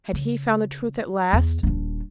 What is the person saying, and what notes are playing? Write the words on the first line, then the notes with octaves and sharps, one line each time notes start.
Had he found the Truth at last?
C#3
E2
D#1 D4